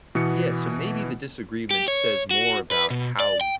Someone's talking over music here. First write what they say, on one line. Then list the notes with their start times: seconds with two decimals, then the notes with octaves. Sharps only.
yeah, so maybe the disagreement says more about how
0.15 B2 E3 B3 C#7
1.71 G4
1.88 C#5
2.31 F#4
2.71 B4
2.90 B2
3.20 D5
3.41 G5